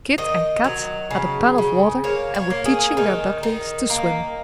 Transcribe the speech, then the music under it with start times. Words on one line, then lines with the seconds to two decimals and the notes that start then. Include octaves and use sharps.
Kit and Kat had a pan of water and were teaching their ducklings to swim.
0.18 D#3 D#5
0.64 F#3
1.11 C#3
1.58 C#3
2.04 A#3 C#5
2.34 C#5
2.50 A#3
2.66 G#4
2.97 D#3 D#4
3.43 D#3
3.90 A#3